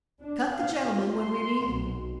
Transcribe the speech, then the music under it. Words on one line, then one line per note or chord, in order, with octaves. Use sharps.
Cut the gentleman when we meet?
D4
F5
F4
C6
B1